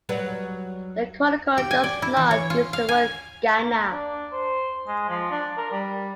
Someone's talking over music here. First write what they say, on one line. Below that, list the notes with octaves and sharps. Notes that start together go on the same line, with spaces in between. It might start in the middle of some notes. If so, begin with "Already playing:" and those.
The chronicle does not use the word Ghana.
F#3 G3 B4
G4
G#5
D5
E4
E3
C#5
F4
F5
G#5
A#3
D4
C5
G#3
F3
D4
A#4
G3